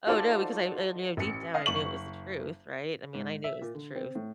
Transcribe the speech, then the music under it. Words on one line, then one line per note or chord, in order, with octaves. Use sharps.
Oh, no, because I I knew deep down, I knew it was the truth, right? I mean, I knew it was the truth.
D#4 F4 F#4 A4 C5 D5
A1 C#7
D#5 F5
F#1 C#6 F#7
G#2
E5
A#2
D3
C4
A2